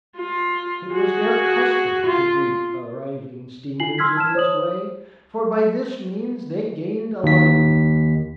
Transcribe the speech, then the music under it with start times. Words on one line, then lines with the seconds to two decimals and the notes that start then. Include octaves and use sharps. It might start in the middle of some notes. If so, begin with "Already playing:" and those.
It was their custom to greet arriving steamers in this way, for by this means they gained a livelihood.
0.17 F4
0.93 F#4 G#4
2.06 F4
3.80 D4 E4 F4 G#5 C7 F#7
3.98 C6 E6 F6 G#6 B6
4.17 A5 F6 G#6 E7
4.35 C5 C#5 D#6 F#7
7.23 D#2 B6